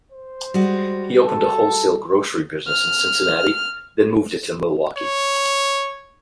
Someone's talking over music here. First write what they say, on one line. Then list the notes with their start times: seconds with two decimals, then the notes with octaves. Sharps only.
He opened a wholesale grocery business in Cincinnati, then moved it to Milwaukee.
0.12 C5
0.54 G3 G#3 F#4
1.20 A4
2.68 F6
4.97 C#5